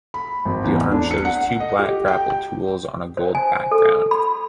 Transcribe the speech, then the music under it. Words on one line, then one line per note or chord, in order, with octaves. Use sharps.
The arms show two black grapple tools on a gold background.
B5
G#1
E2
D4
C#7
F#5
D#5
G4
G5
C5
G#5
A4
B5